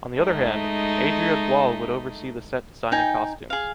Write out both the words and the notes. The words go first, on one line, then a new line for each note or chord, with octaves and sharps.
On the other hand, Adrià Gual would oversee the set design and costumes.
G#3 A3 D#4
D#4 G5 G#5
G#4 F5